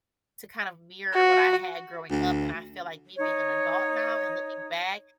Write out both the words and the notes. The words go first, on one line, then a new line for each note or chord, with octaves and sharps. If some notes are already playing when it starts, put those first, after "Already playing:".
to kind of mirror what I had growing up, and I feel like me being an adult now and looking back,
F#4
D2
D#4 C#5